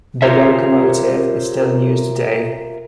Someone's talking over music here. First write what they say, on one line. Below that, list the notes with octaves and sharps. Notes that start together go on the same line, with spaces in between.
The locomotive is still in use today.
F4 G4 A#4 C5 C#5 E5